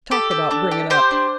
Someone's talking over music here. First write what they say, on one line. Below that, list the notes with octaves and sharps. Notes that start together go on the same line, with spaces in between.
Talk about bringin' up.
G4 A4
G4
D4
G4
G4 C5
D4